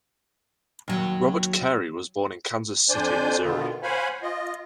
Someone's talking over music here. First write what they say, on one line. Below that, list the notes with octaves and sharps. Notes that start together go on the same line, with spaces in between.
Robert Cary was born in Kansas City, Missouri.
D#2 F#3
F2 D4 C5 D5 G#5 G6
B2 D3 D#3 B3 F4
C5 C#5 F5 F#5 G#5 B5
F4 D#5